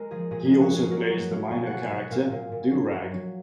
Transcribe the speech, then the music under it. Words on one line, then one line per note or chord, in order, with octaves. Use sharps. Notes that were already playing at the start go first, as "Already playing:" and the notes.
He also plays the minor character Doo Rag.
Already playing: G#3 A#4
F3 G#4
A#2 G#4
G#3 G#4
F#4
G#3 G#4
F#3 A#4
F#3 B4
F#3 F5
B2 G#5
B2 F#5
G#5
B2 F#5
A#2 F5
A#2
A#2
F#3
F#3
F#3